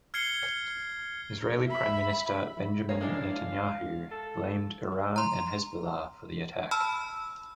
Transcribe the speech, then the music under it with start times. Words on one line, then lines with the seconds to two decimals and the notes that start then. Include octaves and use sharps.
Israeli Prime Minister Benjamin Netanyahu blamed Iran and Hezbollah for the attack.
0.14 F6 G#6 C7 C#7 G7
1.67 E5 B5
2.89 A#3 G#4 C#5
3.01 G#3 D4 E4 F5
4.11 A4
5.16 A#5 C6
6.71 A5 B5 E6 F6